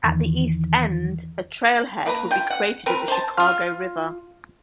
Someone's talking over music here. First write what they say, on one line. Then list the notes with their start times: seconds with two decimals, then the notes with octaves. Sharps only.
At the east end, a trailhead would be created at the Chicago River.
0.03 E2 D#3 E3
2.06 A#3 B4 A#5
2.31 F4 G5
2.50 F#5
2.86 C4 A#4 B4
3.08 C5 A5
3.37 F4 F6